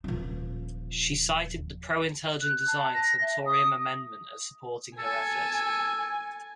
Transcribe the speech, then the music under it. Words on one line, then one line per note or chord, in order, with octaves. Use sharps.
She cited the pro-intelligent design Santorum Amendment as supporting her effort.
D#1 F3
F#6
A5
A#6
E5
D#6
A4 G#5